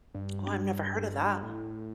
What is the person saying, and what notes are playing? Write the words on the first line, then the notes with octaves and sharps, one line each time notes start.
Oh, I've never heard of that.
G2
A2